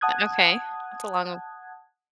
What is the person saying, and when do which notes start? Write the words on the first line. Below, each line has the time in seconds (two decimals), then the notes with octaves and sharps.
Eh okay, that's a long
0.01 F#5 A5 D#6 F#6 G#6